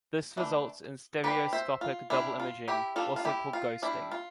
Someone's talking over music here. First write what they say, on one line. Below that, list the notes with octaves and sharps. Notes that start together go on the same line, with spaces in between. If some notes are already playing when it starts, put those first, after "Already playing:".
This results in stereoscopic double imaging, also called ghosting.
E3 A3 D4
G3 D4 G4 B4
C5 E5
F4
G3 D4 E4
F4
E4 G4
G3 D4 F4 A4
F4
E4 G4
F4
G3 D4 E4
F4